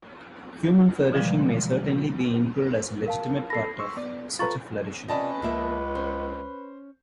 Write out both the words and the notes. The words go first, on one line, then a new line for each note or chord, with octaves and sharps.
Human flourishing may certainly be included as a legitimate part of such a flourishing.
B2 D3 E3 F3 G3 G#3
A#4 F5 A5
A4 B5 A#6 C7
C6 C#6 E6
B3 D5
F4 A4 B4 A#5 C#6 A6
C3 C#4 F4 B4 D5 D#5 A5 B5
C#2 F3 A#3 E5
C#4 C5